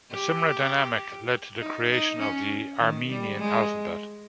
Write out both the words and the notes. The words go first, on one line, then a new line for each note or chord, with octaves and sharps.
A similar dynamic led to the creation of the Armenian alphabet.
G4
D#4
D#4
C#4
D#3
G3
G#3